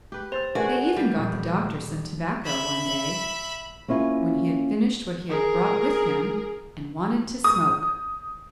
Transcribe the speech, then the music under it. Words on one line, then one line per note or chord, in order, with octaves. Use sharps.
They even got the Doctor some tobacco one day, when he had finished what he had brought with him and wanted to smoke.
G4 B4
C5 E6 A6 F7
A3 F#4 G#4 A#4 B4 D5 F#5
G3
D#1
E5 B5
A#3 C#4 E4 F4 C#5
G#4 A#4
D#6